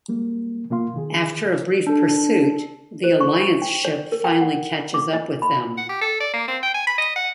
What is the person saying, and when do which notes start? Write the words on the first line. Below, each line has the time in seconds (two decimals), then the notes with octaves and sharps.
After a brief pursuit, the Alliance ship finally catches up with them.
0.09 G3 G#3 A#3
0.70 B2 A#3 F4 F5 C6
0.94 B2 D#3 G#4
1.87 D4 A4
3.04 C5
3.21 C#6
3.62 G5
3.85 C#5
4.12 A#4
4.24 G5
4.41 F#5
4.94 D6
5.13 D#5
5.42 B5
5.77 F#5
5.89 G4
6.01 A4
6.20 D5
6.33 A#3
6.48 C4
6.63 G5
6.74 G#5
6.87 B5
6.98 D#5
7.16 F#5